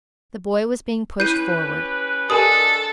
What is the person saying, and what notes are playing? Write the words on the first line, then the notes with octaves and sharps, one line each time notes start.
The boy was being pushed forward.
C#4 E4 G4 B4 G6 D#7
G#3 A#3 D4 G4 A4 A#4 G#5 D#6